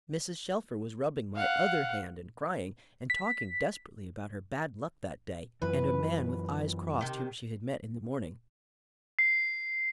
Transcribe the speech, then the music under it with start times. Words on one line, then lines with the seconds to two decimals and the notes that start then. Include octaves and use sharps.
Mrs. Shelfer was rubbing my other hand, and crying and talking desperately about her bad luck that day, and a man with eyes crossed whom she had met in the morning.
1.36 F5 F#5
3.10 B6
5.62 F#2 E3 B4
7.01 C3 D#3
9.19 C7